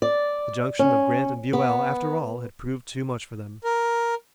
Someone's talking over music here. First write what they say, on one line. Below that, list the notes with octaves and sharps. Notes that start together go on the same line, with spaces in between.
The junction of Grant and Buell, after all, had proved too much for them.
D5
C#4
B3
A#4